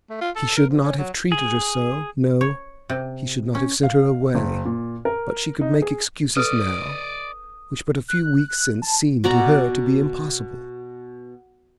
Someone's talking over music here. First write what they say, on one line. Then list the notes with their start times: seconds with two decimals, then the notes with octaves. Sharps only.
He should not have treated her so; no, he should not have sent her away. But she could make excuses now, which but a few weeks since seemed to her to be impossible.
0.10 A3
0.21 F4
0.36 A4
0.57 A#4
0.70 F3
0.83 C#4
0.98 F#3
1.32 G#4
2.41 C#5
2.90 C3
3.55 C#4
3.83 F5
4.35 F#1
4.65 A#2
5.05 A#4
5.61 D#4
5.82 G#4
6.37 A4 B4 D5 D#5 D#6
8.08 F#6
8.82 A5
9.24 B2 F#4 D5 A#5